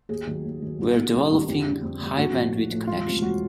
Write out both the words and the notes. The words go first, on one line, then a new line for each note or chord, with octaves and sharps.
We're developing a high bandwidth connection.
D#2 G#4
D#3 F#3
D#2
D#3 F#3
C2
B2 G3
C2
B2 G3
F2 G4
D3 G3
F2
D3 G3
A#1 F#4
A2 F3
A#1
A2 F3
E1 F4
D2 C3 F3
E1 F#4